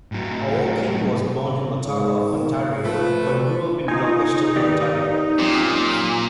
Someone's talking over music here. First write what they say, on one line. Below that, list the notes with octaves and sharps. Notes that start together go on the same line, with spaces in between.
Aucoin was born in Ottawa, Ontario, but grew up in Gloucester, Ontario.
A2 F#3
G#2
D#3
F3 A3 B4
D2
D#4 F4 G#5
D#3 B3 G4 D5
F#2 A#2 C4